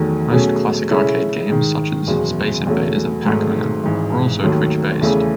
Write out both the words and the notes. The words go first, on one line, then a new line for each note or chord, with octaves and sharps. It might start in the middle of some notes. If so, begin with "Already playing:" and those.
Most classic arcade games such as "Space Invaders" and "Pac-Man" were also twitch-based.
Already playing: E2 D#3 F#3 A3
B2 F#3 A3 C#4 G#4
C#3 G#3 C#4 E4 A4
G#2 D#3 G#3
F#1 E2 B2 G#3
E2 C#3 F#3 A3
G#1 G#2 D#3 F#3 A3
G#1 G#2 E3
D#2 D#3 F#3 A3
E2 C#3 E3 A3